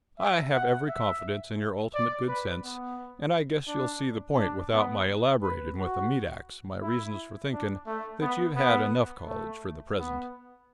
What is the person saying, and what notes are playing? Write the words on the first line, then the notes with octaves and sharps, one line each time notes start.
I have every confidence in your ultimate good sense, and I guess you'll see the point without my elaborating with a meat ax my reasons for thinking that you've had enough college for the present.
E5
F#5
E5
D5
B4
B3
D4
D4
B3
B4
F#4
E4
D4
A3
B3
B3
A3
B3